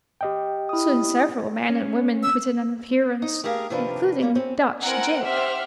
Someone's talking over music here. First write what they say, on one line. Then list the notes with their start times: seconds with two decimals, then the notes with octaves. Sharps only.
Soon several men and women put in an appearance, including Dutch Jake.
0.21 G4 D#5 G5
0.69 E4 D#6
1.69 C#4
2.23 E6
3.22 D#4
3.44 A3 G4 G#4 A#4 F5
3.70 C3 D#3 F3 D4 A#4 B4
4.21 G3 A#3 C#4
4.35 C4 C#4
4.83 C4 E4 A#4 F#5 G#5 D7
5.22 G4 C5 E5 F#5 F6